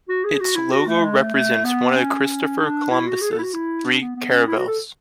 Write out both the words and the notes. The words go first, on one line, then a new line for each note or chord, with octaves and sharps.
Its logo represents one of Christopher Columbus's three caravels.
F#4
G#4
F#4
E4
F#4
A3
G#3
A3
A3
B3
C#4
D4
E4
F#4
G#4
A4
E4
F#4
E4
D4
B3
B3
C#4
E4
F#4
A4